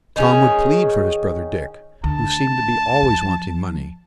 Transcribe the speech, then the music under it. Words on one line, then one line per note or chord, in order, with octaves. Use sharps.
Tom would plead for his brother Dick, who seemed to be always wanting money.
D#3 C#4 G#4
D2 A5
F3